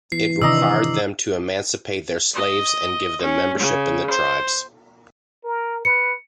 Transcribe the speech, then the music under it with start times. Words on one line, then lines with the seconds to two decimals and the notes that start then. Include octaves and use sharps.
It required them to emancipate their slaves and give them membership in the tribes.
0.12 E3 B3 C7
0.42 C3 D#3 D4 D5 D#5 A#5 E6
2.35 D#5
3.21 C#4
3.60 C#3
4.10 C5
5.44 A#4
5.85 B4 C#7